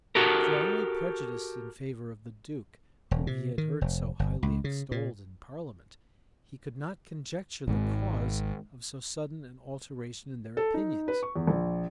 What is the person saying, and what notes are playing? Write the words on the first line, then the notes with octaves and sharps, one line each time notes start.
Strongly prejudiced in favor of the duke, whom he had heard so highly extolled in parliament, he could not conjecture the cause of so sudden an alteration in their opinions.
F#4 G4 A4 A#4
E1
C3
D#3
F1
G1
C#2
C#3
A#2
G#1 G#2
A4
D#4
B4
C#6
E2
A#1